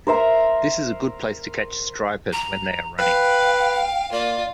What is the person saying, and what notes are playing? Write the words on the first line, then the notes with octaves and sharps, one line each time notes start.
This is a good place to catch stripers when they are running.
A#4 C5 E5 A#5
A#5
B4 F5 G5
A#3 F4 D5